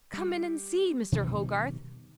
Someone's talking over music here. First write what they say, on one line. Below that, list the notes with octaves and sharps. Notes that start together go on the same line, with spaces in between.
Come in and see Mr. Hogarth.
G3
B2 D#3 F#3 G3